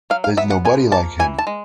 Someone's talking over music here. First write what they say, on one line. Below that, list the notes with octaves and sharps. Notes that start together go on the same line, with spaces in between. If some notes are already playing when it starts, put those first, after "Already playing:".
There is nobody like him.
F#3 F5
F5
B3 E5
F#5
F3 G#5
A#3 A5
E3 G#5
A5
G#3